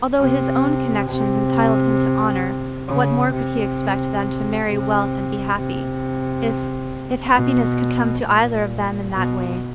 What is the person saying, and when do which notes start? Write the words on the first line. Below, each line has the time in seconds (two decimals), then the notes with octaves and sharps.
Although his own connections entitled him to honor, what more could he expect than to marry wealth and be happy, if--if happiness could come to either of them in that way.
0.21 C3
1.10 C3
2.88 C#3
3.34 C3
4.66 C3
5.56 C3
7.34 B2
8.23 A#2
9.12 B2